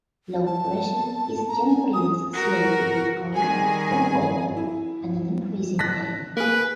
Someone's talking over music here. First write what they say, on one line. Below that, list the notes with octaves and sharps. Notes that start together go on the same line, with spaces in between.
Low pressure is generally associated with cold, wet weather and an increase in pain.
A5
A#5
G#5
D#6
F#4 A#4
D#3 G3 G#4 G#5
E4
A5 F#6 A#6 B6
A#3 G#4 B4